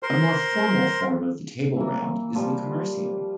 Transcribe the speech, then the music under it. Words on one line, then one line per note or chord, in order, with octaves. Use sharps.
A more formal form of the tableround is the commercium.
A#4 C5 C6
E3 A#3
F3 G3